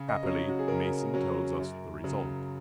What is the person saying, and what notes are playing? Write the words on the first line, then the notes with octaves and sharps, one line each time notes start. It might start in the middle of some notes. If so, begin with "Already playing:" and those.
Happily, Mason tells us the result.
Already playing: C#3
D#5
F#3 C#4
F#4
G#4
C#3 A#4
F#3 C#4
F#2
C#3 F#3